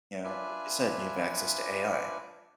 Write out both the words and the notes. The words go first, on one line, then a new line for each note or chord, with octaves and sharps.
you know, like you said, you have access to AI.
D4 F4 B4 D5 E5 G#5